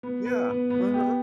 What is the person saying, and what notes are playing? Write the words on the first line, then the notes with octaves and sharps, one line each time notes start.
Yeah. Uh-huh.
B3
B4
B3
B3
G4